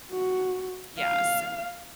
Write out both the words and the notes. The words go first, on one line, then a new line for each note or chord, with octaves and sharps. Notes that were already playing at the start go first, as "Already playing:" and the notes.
yeah, so
F#4
F5